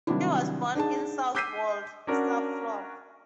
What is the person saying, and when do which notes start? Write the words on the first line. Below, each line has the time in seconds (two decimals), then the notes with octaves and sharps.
He was born in Southwold, Suffolk.
0.07 C3 D#3 F#3 G3 D4 E4
0.75 D4 D#4 G#4 A5
1.35 D6 E6 G6 B6 C7 D#7
2.07 C#4 D4 F#4 A#4